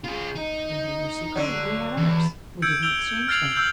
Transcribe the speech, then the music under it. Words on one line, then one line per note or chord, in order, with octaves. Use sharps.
You had your secret and we had ours; we didn't exchange them.
F4 G#4
D#4
D3 F#3
E2
E6 G6 G#6 C#7 D7
E6 G6 D7 F7 G7
F6 G#6 A6 C7 F7 F#7
E6 G6 F#7